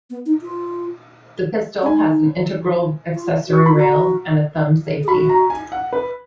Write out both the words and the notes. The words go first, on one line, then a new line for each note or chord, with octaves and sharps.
The pistol has an integral accessory rail, and a thumb safety.
B3
D#4
F4
C#4
D#4 G#5
F4
F#4
C#6
F4 B5
F#4 A#5
G#4
F#4 B5
A#5
G#5
F#5
B4